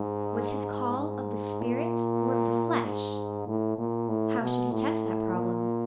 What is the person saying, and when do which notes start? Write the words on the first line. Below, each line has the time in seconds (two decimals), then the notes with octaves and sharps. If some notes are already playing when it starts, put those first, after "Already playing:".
'Was his call of the spirit or of the flesh?' How should he test that problem?
Already playing: G#2
0.98 G#2
1.61 A#2
2.85 G#2
3.48 A2
3.78 A#2
4.09 A2
4.41 B2
4.71 A2
5.33 A#2